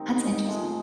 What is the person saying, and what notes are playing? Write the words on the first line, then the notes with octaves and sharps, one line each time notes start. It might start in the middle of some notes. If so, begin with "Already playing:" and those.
that's interesting.
Already playing: D#3 G3 C4 D#4
A2 F3 G#3